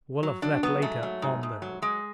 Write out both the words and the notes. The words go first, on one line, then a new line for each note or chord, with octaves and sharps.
Well, of that later on, though.
F#3
F#3 D4
F#3 B3
G#2 A3
F#3
G#2
G#2
F#3
F#3 G#3